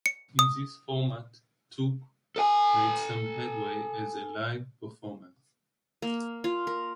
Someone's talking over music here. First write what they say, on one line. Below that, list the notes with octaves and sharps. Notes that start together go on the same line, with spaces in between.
In this format, Took made some headway as a live performer.
C#7
D#6
A4 G#5
A#3
F4
A#4